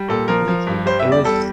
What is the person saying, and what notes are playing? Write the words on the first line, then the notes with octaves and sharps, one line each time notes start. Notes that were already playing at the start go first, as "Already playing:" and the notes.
Thank you. It was
Already playing: G3
A#2 A4
F3 A#4
F3
G2
G3 C5
E5
E2
D5
G3 A4